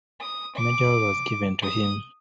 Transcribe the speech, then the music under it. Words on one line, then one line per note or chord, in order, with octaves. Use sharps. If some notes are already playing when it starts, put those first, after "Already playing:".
Major role was given to him.
D#6
D6
D#6